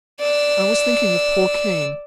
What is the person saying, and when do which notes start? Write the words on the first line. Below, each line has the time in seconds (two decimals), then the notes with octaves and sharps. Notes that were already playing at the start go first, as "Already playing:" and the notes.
I was thinking of poor Cain.
0.20 D5 E6